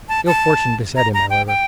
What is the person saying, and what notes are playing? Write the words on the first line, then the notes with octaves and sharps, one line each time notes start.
Ill fortune beset him, however.
A5
A5
A#5
A#5
G5
G5